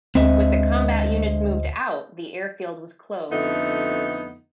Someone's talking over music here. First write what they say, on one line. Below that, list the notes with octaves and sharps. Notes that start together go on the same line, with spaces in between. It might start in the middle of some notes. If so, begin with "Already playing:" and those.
With the combat units moved out, the airfield was closed.
D2 D3 G#3 C4 C5 D#5 E5
F2 D3 A3 B3 D#4